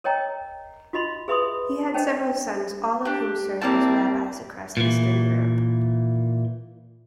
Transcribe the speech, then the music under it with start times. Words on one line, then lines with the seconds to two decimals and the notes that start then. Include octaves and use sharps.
He had several sons; all of whom served as rabbis across Eastern Europe.
0.04 A#4 C#5 D#5 G5 A#5
0.93 F4 F#4 D#5 B5 C6
1.28 G#4 B4 E5 B5 C6 D#6
1.94 C#4 D4 C5 D#5 G5 A5
3.05 D4 G4
3.61 G3 A#3 C4 E4 G4 A5
4.77 A#2 E3